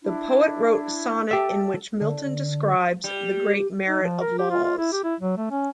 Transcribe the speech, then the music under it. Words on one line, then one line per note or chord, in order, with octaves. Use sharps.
The poet wrote sonnet in which Milton describes the great merit of Lawes.
D4 E4
G4 A4 E5
D3
G3
D#4
F3
A#4
G4
F4
F4
E4
G4
E4
F#3
A3
C#4